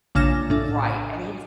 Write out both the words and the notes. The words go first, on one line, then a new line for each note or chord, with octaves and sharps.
Right, and he's
A#1 C#3 D4 F6 A#6 E7
A2 D4